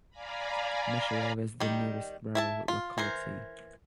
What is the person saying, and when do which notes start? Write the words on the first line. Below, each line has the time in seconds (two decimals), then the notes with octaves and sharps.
Meshcherevo is the nearest rural locality.
0.10 D5 F5 G#5 A#5 B5
1.60 D#3 G3
2.35 E4 E5 A5
2.68 F4
2.98 E3 A#4 C5